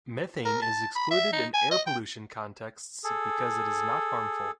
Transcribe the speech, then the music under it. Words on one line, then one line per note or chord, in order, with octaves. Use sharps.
Methane is excluded in air-pollution contexts because it is not harmful.
A#4
A5
B5
E5
D#4
G#5
D#5
G5
G#4 A4